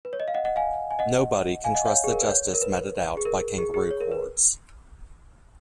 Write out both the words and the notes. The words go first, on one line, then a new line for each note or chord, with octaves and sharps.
Nobody can trust the justice meted out by kangaroo courts.
B4
C#5
D#5
F5
D#5 F#5
D#5 F#5
F5 G#5
G#5
D#5 F#5
F5 G#5
D#5 F#5
C#5 F5
G#4
A#4
B4
C#5
A#4
B4
G#4
A#4
G#4
G#4
C#5
A#4
B4